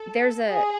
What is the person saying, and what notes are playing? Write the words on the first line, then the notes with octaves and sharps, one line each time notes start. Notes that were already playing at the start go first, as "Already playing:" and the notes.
there's a
Already playing: A4
G#4